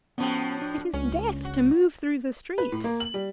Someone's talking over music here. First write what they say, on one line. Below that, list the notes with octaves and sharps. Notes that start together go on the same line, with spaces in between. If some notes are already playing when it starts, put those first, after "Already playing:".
It is death to move through the streets!'
A2 F3 B3 C#4 F#4 G5
D4
C#2 C#4
F#4
B4
A2
A#3
F#7
G3